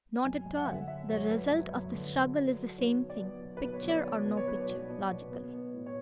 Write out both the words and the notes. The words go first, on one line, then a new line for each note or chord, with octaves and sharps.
"Not at all: the result of the struggle is the same thing--picture or no picture--logically."
F#2 G#5
F#2
F#5
D3 E5
F#5
F#3 E5
F#2 C#5
F#2 B4
F#2
F#2
D3
F#2
F#3
F#3
B1 C#5
B3
D5
B3
B2
B4
B2
C#5
B1
D5
B3 C#5
B2
C#5
F#3 B4
C#5
B1
B2
B2
B3
B3
A2
C#5